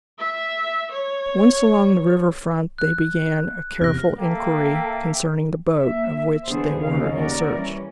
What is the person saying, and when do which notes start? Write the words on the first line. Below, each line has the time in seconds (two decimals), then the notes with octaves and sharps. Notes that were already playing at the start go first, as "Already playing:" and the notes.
Once along the river front they began a careful inquiry concerning the boat of which they were in search.
0.19 E5
0.91 C#5
2.78 F#6
3.81 E2 C3 F6 A#6
4.18 A#3 A4 E5 G5
5.80 A#3 E5
6.47 D3 E3 B3 D4 G#4 C5
6.82 D#2 C#3 C#4 F5
7.14 C#4 F#4 A#4 D5
7.54 E3 G3 C#4